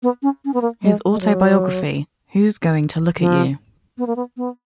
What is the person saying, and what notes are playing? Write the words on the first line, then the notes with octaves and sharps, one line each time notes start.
His autobiography, Who's Going To Look At You?
B3
C#4
C#4
B3
A#3
G#3
G#3
F#3
F3
B3
A#3
B3
B3